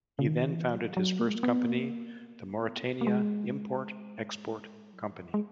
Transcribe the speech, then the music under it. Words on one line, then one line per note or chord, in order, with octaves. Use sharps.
He then founded his first company, The Mauretania Import Export Company.
C#3
D#3
E3
F#3
F#3
A#3
G#3
A#3
B3
A#3
B3
A#3
G#3
F#3
E3
F#3
G#3